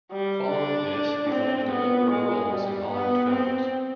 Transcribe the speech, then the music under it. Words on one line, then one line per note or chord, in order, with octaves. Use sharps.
Following this, he landed a number of roles in Hollywood films.
G3
D4
C4
B3
G#3
G3
B3
C4